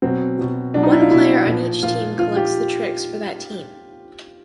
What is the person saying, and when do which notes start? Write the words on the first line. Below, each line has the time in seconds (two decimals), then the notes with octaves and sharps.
One player on each team collects the tricks for that team.
0.02 B2 F#3 C4
0.38 B2 F#3
0.74 B2 F#3 D4
0.83 D#4
0.92 E4
1.01 F4
1.10 B2 F#3 E4
1.46 A#2 F3
1.82 A#2 F3 F4
2.18 A#2 F3 F4
2.36 G4